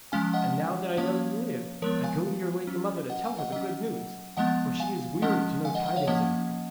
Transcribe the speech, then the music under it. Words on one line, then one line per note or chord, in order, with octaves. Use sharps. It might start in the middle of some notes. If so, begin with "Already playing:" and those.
And now that I know ye live, I go to your lady mother to tell her the good news, for she is weary to know tidings of you.'
F3 G#3 C#4 F5 G#5
D#5 F#5
F3 A#3 C#4 C#5 F5
F3 G#3 B3 A#4 C#5
F5 G#5
F#3 C#4
D#5 F#5
F5 G#5
D#5 F#5
F#3 C#4 D#5 F#5
F3 G#3 B3 D#5 F#5
F5 G#5
F3 G#3 C#4 D#5 F#5
F5 G#5
D#5 F#5
D#5 F#5
C#5 F5
F3 A#3 C#4 D#5 F#5